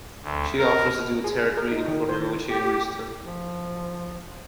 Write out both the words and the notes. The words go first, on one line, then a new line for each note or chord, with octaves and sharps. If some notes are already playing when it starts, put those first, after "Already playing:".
She offers to do a Tarot reading for him which he agrees to.
D2
A#4
G#4
A#4
D#4
D#3
C5
G4
F3